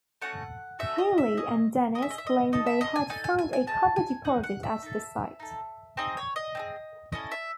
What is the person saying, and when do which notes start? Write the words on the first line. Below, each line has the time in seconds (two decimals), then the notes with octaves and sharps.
Healy and Dennis claimed they had found a copper deposit at the site.
0.22 A3 C#4 F#4 F#5
0.79 A3 C#4 F#4 E5
0.98 D#5
1.18 E5
1.37 C#4 G#4 D#5
1.95 C#4 D#5
1.98 G#4 E5
2.10 D#5
2.18 E5
2.27 D#5
2.52 D#4 A4 D#5
2.66 E5
2.81 D#5
2.96 G#5
3.10 D#4 A4 G#5
3.24 G#5
3.39 G#5
3.53 G#5
3.67 D#4 G#4 A5
3.96 G#5
4.25 D#4 G#4 F#5
4.44 F#5
4.63 E5
4.82 D#4 A4
5.40 D#4 A4
5.97 C4 D#4 G#4 D#5
6.17 C#5
6.36 D#5
6.55 C4 D#4 G#4
7.12 C#4 E4 A4 D#5
7.32 E5